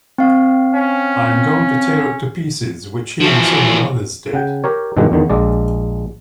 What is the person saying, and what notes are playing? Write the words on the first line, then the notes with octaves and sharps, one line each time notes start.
I am going to tear it to pieces.' Which he and several others did.
C4 F5
C#4
E3 F3 F#4
C#3 F#5 G5
G4 A#4 C#5
G2 B2 D#3 F3 G#3
E2 D3 D#3
A#1 G#3 D5